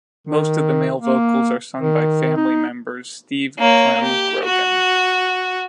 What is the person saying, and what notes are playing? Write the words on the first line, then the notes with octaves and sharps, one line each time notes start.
Most of the male vocals are sung by "family" member Steve "Clem" Grogan.
D#3
A#3
D#3
D#4
A#3 C#5
G4
F#4